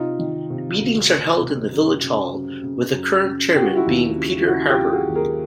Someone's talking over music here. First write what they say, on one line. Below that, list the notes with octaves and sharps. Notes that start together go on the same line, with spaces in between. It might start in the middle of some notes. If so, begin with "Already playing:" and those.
Meetings are held in the village hall, with the current chairman being Peter Harper.
Already playing: C3 D#4 F4
D#3
C3
D2
D#3
C3
F#2
C#3
F#2
C#3
F#2
C#3
C#3 G4
F#4
F4
E4 F#4
D#2
C#3
C#3 E4 F#4
F4 G4
C#3
F#4 G#4
D#2
G#4 A#4